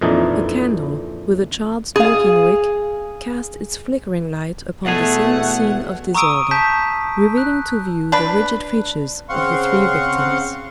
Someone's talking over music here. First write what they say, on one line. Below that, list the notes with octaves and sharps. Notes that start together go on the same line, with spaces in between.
A candle, with a charred smoking wick, cast its flickering light upon the same scene of disorder, revealing to view the rigid features of the three victims.
F2 A#2 E3 D4 D#4
G#4 F5
E2 B2 A3 G#4 F#5
A#5 C#6 D#6 E6 D7 D#7
A5 G6 B6
F#6
D4 B4
C#3 C4 F5 F#5 C6 C#6